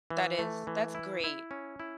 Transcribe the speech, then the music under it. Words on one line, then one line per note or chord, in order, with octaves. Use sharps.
That is That's great.
E3
A3
E3
E4
E4
C#4
E4